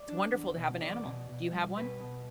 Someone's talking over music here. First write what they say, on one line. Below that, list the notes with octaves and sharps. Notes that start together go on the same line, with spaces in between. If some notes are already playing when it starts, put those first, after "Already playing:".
it's wonderful to have an animal. Do you have one?
Already playing: D5
D4
E2
B2
E2 D5
B2
B2
G3
B2 B4
B2